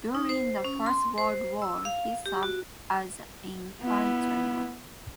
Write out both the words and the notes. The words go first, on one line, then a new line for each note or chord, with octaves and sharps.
During the First World War he served as an infantryman.
D#4
C5
C#4
C6
C5
E6
F5
G4
F#4
B3 E4